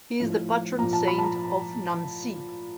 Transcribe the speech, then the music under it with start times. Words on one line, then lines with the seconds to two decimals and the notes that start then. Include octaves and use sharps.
He is the patron saint of Nancy.
0.20 A2 F3
0.79 F3 A#5
0.82 A#2
0.93 A5
1.08 B5
1.18 A5
1.23 A#5